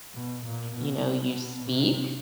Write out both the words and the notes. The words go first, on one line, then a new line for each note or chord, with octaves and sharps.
you know, you speak
B2
A#2
B2
C3